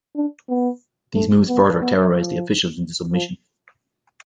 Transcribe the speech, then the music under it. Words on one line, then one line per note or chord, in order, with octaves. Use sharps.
These moves further terrorized the officials into submission.
D4
B3
A3
B3
B3
F3
F3